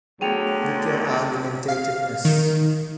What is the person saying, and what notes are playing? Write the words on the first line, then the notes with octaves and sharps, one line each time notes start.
With your argumentativeness.
D2 F#3 A3 B3 G#4 G5 F7
F5
D#3